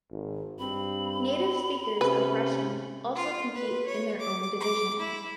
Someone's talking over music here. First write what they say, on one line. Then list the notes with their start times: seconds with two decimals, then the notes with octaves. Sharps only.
Native speakers of Russian also compete in their own division.
0.12 G#1
0.59 G2 C4 B5
2.01 C3 C#4 B4
3.15 F4
3.54 B4
3.87 C#5
4.20 D6
4.60 D6
4.99 E4